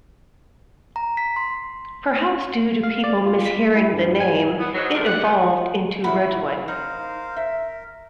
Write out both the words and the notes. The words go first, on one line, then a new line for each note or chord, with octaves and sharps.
Perhaps due to people mishearing the name, it evolved into Rudgeway.
A#5
B6
C6
F5
D5
F4
B6
E4
G2
G#5
B3
G#2 F#3
A2 F3 C4 D4 A#4
D5 F#5
D#3 B3
A#2 E4 C#5 F#5 B5
D#4 A#4 C5 F5
A#4 E5